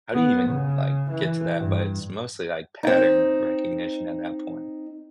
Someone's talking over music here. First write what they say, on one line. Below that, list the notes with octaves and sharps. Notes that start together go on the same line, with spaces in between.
how do you even, like, get to that?" But it's mostly, like, pattern recognition at that point,
B3
C#3
E3
G2
C4 D#4